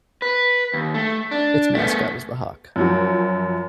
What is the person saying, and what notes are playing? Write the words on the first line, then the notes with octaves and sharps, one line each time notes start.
Its mascot is the Hawk.
B4
D#2
A3
D4
A3 B3
F#2 F3 F#4